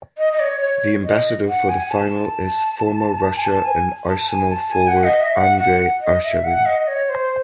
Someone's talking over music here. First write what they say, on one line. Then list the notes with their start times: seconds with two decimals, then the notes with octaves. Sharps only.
The ambassador for the final is former Russia and Arsenal forward Andrey Arshavin.
0.18 D#5
0.33 D#5
0.40 C#5
0.61 C#5
1.04 D#5
1.47 F#5
1.69 G#5
1.91 A5
3.36 G#5
3.42 A5
3.63 G#5
4.07 A5
4.28 G#5
4.50 A5
4.71 G#5
4.88 F#5
5.04 D#5
5.20 E5
5.36 F#5
5.58 F#5
6.01 D#5
6.23 E5
6.44 F#5
6.66 D#5
6.87 C#5
7.09 C5